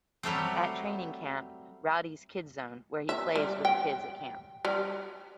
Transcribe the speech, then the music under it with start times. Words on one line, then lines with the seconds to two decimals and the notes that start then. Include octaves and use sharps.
At Training Camp, Rowdy's Kid Zone, where he plays with the kids at camp.
0.23 F#3 G3 A3 C4
3.09 E5
3.36 G3
3.65 G5
4.65 G3